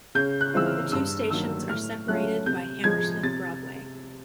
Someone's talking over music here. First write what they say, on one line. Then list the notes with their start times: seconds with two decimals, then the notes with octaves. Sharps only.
The two stations are separated by Hammersmith Broadway.
0.15 C#3 G6
0.41 F#6
0.54 E3 G#3 C4 F4 E6
0.66 F6
0.92 G2 E6
1.30 D#3 F#3 A#3 E6
1.69 A2 F6
2.08 F#3 A3 C#4 F4 F#6
2.46 C3 G6
2.84 F3 G#3 G#6
3.23 C3 A6